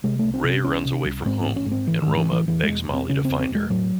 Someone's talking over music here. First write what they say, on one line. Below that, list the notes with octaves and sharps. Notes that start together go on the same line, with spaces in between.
Ray runs away from home and Roma begs Molly to find her.
C3 G#3
C2 A3
C4
C3 C#4
C2 C#4
C3
C2
G#2 C4
A1 C4
C#4
G#2
C4
A1 E3
G#2 D#3
E3
A1 E3
E2 E3
E1 G#3
E1 C4
C#3 C#4
E2 C4
C4
E1 G#3
A2 F#3